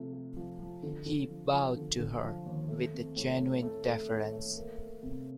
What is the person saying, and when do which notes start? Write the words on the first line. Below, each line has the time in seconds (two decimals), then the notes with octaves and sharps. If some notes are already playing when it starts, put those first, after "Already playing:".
He bowed to her with a genuine deference.
Already playing: C3 F3 A3
0.13 A3
0.36 F3
0.60 F3
0.83 D3
1.06 D3
1.29 F3
1.53 F3
1.76 D3
1.99 D3
2.23 F3
2.46 D#2
2.69 A3
2.93 C4
3.16 A2
3.39 A3
3.63 A3
3.86 A3
4.09 A2
4.33 A3
4.56 A#3
4.79 A#3
5.03 C3